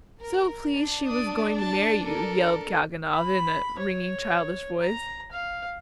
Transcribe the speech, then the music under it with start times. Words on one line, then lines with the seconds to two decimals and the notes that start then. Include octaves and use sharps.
"So pleased she was going to marry you!" yelled Kalganov, in a ringing, childish voice.
0.20 A#4
0.76 D4
1.07 D5 D#6
1.59 A5
2.04 A4 A#4
3.13 B5
3.79 C#5
4.81 A#5
5.32 F5